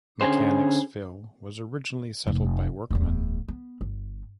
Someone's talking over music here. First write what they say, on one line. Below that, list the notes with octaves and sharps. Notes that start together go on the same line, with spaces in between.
Mechanicsville was originally settled by workmen.
D3 C#4 G#4 C5
F1 F2
D1 E2
B3
G1